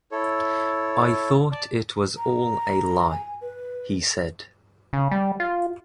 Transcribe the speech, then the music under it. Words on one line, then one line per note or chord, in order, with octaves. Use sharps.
"I thought it was all a lie," he said.
E4 A4 C#5
D5 A5
A#5
G#5
B4
C#3
G3
F4